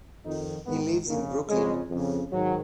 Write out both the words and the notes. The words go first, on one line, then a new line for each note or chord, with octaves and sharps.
He lives in Brooklyn.
F2 D#3 D#4
G#2 D#3 B3
F2 C#3 A#3
F2 C#3 G#3
F2 C#3
G#2 D#3 F#3